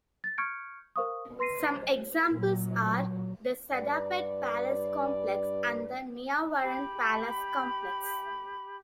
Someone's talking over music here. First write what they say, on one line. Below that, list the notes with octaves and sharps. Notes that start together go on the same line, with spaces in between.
Some examples are the Sa'dabad Palace Complex and the Niavaran Palace Complex.
A6
C#6 F6 G6 G#6 C#7 D7
A#4 C5 F5 C#6 D#6
B4 C6 A#6 C7 D#7
C5
A#2 F#3
G2 B4 D5
G4 B5